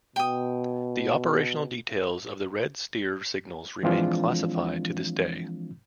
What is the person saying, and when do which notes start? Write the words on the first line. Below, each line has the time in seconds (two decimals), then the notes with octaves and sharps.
The operational details of the Red Steer signals remain classified to this day.
0.16 B2 G5 D#6
3.83 E3 F3 G#3 C4 D4 F4